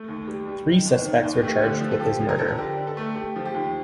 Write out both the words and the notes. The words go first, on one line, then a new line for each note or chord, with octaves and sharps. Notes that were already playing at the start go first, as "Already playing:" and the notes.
Three suspects were charged with his murder.
Already playing: A3
D#2
G3
G3
D#3
D#2
D#3
D#2
A3 G4
D3
F3
A4
F3 G4
F3
A#4
D3 A4
A#4
D3 G4
D3
A4
A3
A3 G4
F3
G4
D#2